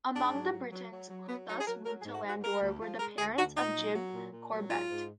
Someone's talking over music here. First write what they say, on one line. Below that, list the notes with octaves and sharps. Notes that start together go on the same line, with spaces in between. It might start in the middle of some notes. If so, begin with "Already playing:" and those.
Among the Britons who thus moved to Landour were the parents of Jim Corbett.
G#2 D4
F#3
F#3
F#3
F#3
F#3
F#3 B3
F#3 D#4
G#4
F#3 A#4
F#3 A#4
G#4
G#2
F#4
G#2 F#4
G#3 A#4
D2
F3
G#3 A#4
D2 G#4
D2 F#4
A#2 D#4
F#3
F#3
A#2
A#2
F#3
G#2 F4
G#2